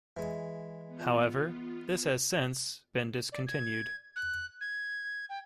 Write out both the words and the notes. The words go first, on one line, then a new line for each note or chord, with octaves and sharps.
However, this has since been discontinued.
E3 G#3
B3 F4
D5
G#6
F#6
G#6
G5